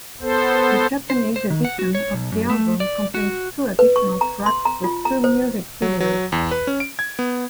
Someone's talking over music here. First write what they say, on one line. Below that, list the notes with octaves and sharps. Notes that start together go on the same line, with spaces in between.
The Japanese edition of the album contains two additional tracks plus two music videos.
B3 A4 C5
C5
C5
D#3
F#5
F#4
C#5
B1
F#2
A3
D5
F#4
B4
C#6
A#5
C6
A#5
F4
A#5
C5
F#3
F#3
E2
B4
C#4
D7
G#6
B3